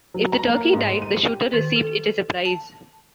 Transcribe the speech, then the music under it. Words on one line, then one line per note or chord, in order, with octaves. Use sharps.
If the turkey died, the shooter received it as a prize.
F#3
A#5
A#3
G#2
D#7
G4
D#3
A4
A5